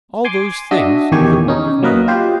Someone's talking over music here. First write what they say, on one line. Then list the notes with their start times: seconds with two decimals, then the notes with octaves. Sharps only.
All those things are the work of men.
0.25 G#5 C6 D6
0.71 D4 F#4 D#5 E5
1.12 E2 D#3 G4 C#5 G#5
1.48 C#4 D#4
1.83 F#3 A#3 A#4 B4 D#5
2.08 F4 G4 C5